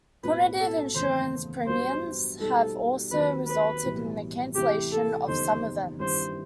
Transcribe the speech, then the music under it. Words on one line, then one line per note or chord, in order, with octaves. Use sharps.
Punitive insurance premiums have also resulted in the cancellation of some events.
B1 A2 F#3 C4 B4
A4
F#1 E2 D#3 A3 C5
G2 F#3 B3 C5
B2 G3 D#4 A4
D#2 D#3 F#3 C4 B4
B4
B1 A2 E3 G3
C2 C3 E3 A3 E4 G4
A4
F#1 E2 D#3 G3 D#4 C5
G2 D#3 G3 C4 E4 C5